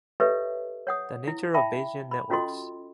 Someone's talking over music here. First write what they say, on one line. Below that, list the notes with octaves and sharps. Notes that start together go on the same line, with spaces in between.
The nature of Bayesian networks.
G4 A4 B4 C#5 D#5 E5
C#5 F#5 D#6
E4
E5 G5 A5 B5
B5
C#4 F4 F#4 A4 D#5 C6